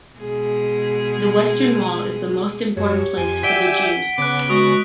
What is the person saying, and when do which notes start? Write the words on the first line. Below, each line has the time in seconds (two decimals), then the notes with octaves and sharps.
The Western Wall is the most important place for the Jews.
0.19 B2 G#3 G#4
2.77 F#2 G4 C#5
3.17 F2 G#5
3.43 G4 D5 E5 F#5 B6 D7 G7
4.18 C#3 B3 D6 F#6 D7
4.50 G#3 F#4 D#6